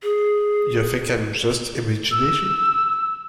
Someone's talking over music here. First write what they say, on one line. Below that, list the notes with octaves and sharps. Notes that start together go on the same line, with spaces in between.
You think I'm just imagination?
G#4
E6